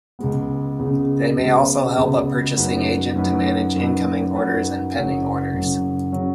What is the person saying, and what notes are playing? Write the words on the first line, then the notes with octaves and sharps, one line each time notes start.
They may also help a purchasing agent to manage incoming orders and pending orders.
C#2 C#3 G#3 B3
C#2 C#3 G#3 B3
C#2 C#3 G#3 B3
C#2 C#3 G#3 B3
F#2 F#3 D#4 B4
F#2 F#3 D#4 B4
F#2 F#3 D#4 B4
F#2 F#3 D#4 B4
F#1 F#2 C#3 F#3 C#4
F#1 F#2 C#3 F#3 C#4
C#3 F#3 C#4